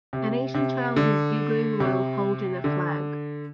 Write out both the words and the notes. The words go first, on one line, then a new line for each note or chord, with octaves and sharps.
An Asian child is giggling while holding a flag.
C3
C3
D3
C3
D3